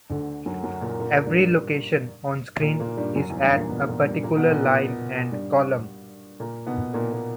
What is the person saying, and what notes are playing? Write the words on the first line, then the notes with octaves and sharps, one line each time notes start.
Every location onscreen is at a particular line and column.
D2 D3
F#2 F#3
F#2 F#3
A#2 A#3
A#2 A#3
G2 G3
A#2 A#3
A#2 A#3
G2 G3
F#2 F#3
E2 E3
G2 G3
A#2 A#3
B2 B3
A#2 A#3
G2 G3
A#2 A#3
B2 B3
A#2 A#3
B2 B3
G2 G3
A#2 A#3
B2 B3
A#2 A#3
A#2 A#3